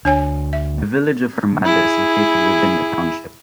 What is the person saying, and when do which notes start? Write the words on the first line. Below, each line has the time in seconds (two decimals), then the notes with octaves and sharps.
The village of Armada is located within the township.
0.05 D2 D4 C#5 G#5
0.53 E5
1.65 E4 G#4